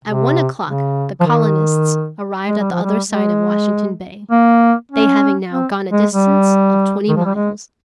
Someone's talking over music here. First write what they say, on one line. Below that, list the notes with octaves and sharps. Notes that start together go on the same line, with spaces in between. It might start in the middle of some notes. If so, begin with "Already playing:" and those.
At one o'clock the colonists arrived at the other side of Washington Bay, they having now gone a distance of twenty miles.
C3
C#3
F3
D#3
G#3
G3
F3
G3
G#3
A#3
C#4
C4
G#3
G3
D#3
F3
G3
G#3